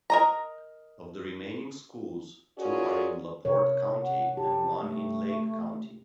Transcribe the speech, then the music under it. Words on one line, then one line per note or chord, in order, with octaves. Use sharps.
Of the remaining schools, two are in LaPorte County and one in Lake County.
A#4 D#5 A#5
C#4 F4 F#4 G#4 A#4 D5
C3 A#4 C#5
F#5
G4 A5
A3